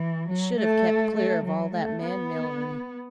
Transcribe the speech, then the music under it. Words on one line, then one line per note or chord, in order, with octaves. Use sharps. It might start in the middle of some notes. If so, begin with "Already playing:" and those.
You should have kept clear of all that man-millinery.
Already playing: E3
F#3
A3
A3
F#3
A3
B3